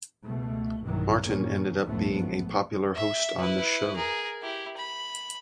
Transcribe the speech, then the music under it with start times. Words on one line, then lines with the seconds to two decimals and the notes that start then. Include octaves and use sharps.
Martin ended up being a popular host on the show.
0.24 C#2 B2 A3
0.84 B1 G2 D#3 E3 F#3
1.25 E2 G2 A#2 D#3 A#3 C#4
1.83 C#2 F#2 A2 F3 A3 B3
2.14 A#1 G#2 A3 B3
2.95 E5
3.39 E4 B4
3.96 G#4 A#4
4.42 E4 G4
4.77 B5